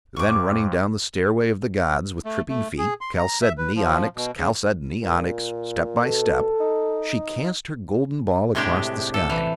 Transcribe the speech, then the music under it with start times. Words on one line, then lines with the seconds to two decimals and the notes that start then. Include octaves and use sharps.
Then running down the stairway of the gods with tripping feet, chalcedony, onyx, chalcedony, onyx, step by step, she cast her golden ball across the sky.
0.16 F2 C#6 D6
2.25 A3
2.49 A3
2.78 G#4
3.01 C6
3.18 A#5
3.42 E5
3.58 B4
3.76 F3
4.17 B2
4.38 C#3
5.02 A#2
6.05 B2 A4
6.60 D#4
8.55 A2 C3 G#3 D4 G4
9.14 A4
9.30 E3